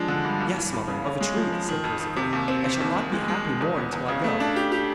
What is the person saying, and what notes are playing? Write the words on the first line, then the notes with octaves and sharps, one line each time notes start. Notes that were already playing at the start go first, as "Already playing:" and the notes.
'Yes, mother, of a truth,' said Perceval. 'I shall not be happy more until I go.'
Already playing: F3 G#3 D4
D3
G2
D#2
E3
D#2
C#3
C#4
G#3
F3
F3
D#3
F2
D#3
C3
D#2
C4
C4
D#2
D#3
G#3
G#3
D#3
E2
B3
E2
C#3
A3
D4
G4
G4